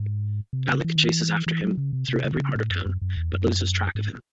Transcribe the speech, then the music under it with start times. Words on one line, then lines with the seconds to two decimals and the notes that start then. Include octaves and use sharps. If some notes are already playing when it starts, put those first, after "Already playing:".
Alec chases after him through every part of town, but loses track of him.
Already playing: G#2
0.53 C3
0.68 C#3
0.84 E3
0.95 D#3
1.06 E3
1.46 E3
1.62 F#3
1.77 C#3
1.93 C3
2.09 C3
2.24 C#3
2.33 D#3
2.40 C#3
2.55 A2
2.70 F#2
2.86 F#2
3.02 F#2
3.17 E2
3.33 F#2
3.95 G#2